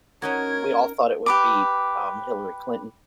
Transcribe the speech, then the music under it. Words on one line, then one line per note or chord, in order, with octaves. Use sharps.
we all thought it would be, um, Hillary Clinton.
C#4 D#4 F#4 A#4 C#5 G#6
G4 B4 D6